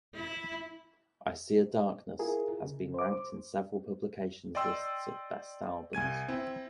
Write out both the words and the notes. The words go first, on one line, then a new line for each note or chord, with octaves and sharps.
"I See a Darkness" has been ranked in several publications' lists of best albums.
E4
E4 F4 G#4 A#4
C#3
C5 D6
D5 D#5 G5 C6 E6
C2 G#5 G#6 D#7
C4 E4